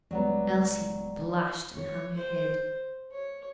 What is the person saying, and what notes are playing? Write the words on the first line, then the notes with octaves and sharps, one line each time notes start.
Elsie blushed and hung her head.
C#2 F#3 G3 B3 D5 F#5 A#5
C#5
C5
C#5